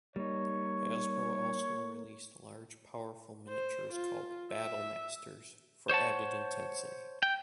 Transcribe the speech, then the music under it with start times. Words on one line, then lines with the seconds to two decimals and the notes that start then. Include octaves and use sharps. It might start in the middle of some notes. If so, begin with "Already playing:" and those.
Hasbro also released large, powerful miniatures called "Battle Masters," for added intensity.
0.16 G3 A#3 D#4 C#5
3.49 C5
3.93 F4
4.52 E5
5.89 C5 C#5 F#5 A5
7.23 G5